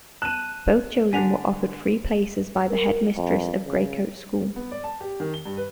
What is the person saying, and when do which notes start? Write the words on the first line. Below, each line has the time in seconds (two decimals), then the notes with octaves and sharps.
Both children were offered free places by the headmistress of Greycotes School.
0.22 A5 F#6 D#7
1.13 D3 D4 G#5 B6 F7
2.70 A#4
3.17 F2
3.64 C#3
4.56 B3
4.72 D5
4.84 A5
5.01 G4
5.20 D#3
5.34 G7
5.46 G2
5.57 B4